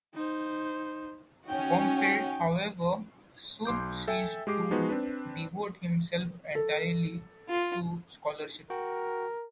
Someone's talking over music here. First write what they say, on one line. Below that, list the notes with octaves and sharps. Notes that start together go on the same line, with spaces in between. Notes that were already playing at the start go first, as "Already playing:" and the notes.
Blomfield, however, soon ceased to devote himself entirely to scholarship.
D#4 C5
C#4 D#4 F#4 G5
B1 C6 D6 G6
A4 E5 G5 G#5
G#3 G4 D6 C7
F3 G#3 B3 D#4 F#4 B4
C4 D4 B4
A4
F4
F#4 A#4 G5